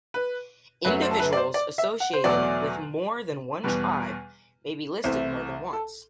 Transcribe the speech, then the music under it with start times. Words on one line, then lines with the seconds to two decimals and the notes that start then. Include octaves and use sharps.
Individuals associated with more than one tribe may be listed more than once.
0.14 B4
0.85 F#2 F#3 A3 B4
1.02 C5
1.11 A4
1.20 B4
1.33 D5
1.37 C5
1.54 D5
1.78 E5
2.00 F#5
2.13 C5
2.24 E2 B2 F#3 A3 D5
3.64 E2 B2 G3 B4
5.04 C2 C3 E3 A3 C5
5.73 A4